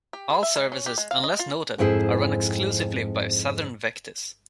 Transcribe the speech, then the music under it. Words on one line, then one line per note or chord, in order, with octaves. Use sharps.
All services, unless noted, are run exclusively by Southern Vectis.
G4
G#4
E5
G#3
C#4
G4
G#3
F5
D#5
F4
F2 G#2 C4 E4 G#4 C5